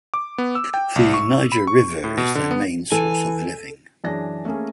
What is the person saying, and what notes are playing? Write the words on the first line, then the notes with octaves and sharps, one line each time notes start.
The Niger River is their main source of living.
D6
B3
E6
G5
C2
C#6
B5
C#6
A2
B2
D3
B3
E3 A4 G#5
F#2 E3 D4 G#4 A#6
A3 A#3 C#4 G#4